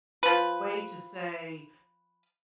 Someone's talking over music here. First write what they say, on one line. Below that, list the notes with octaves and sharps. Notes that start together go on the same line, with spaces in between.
way to say
F3 B4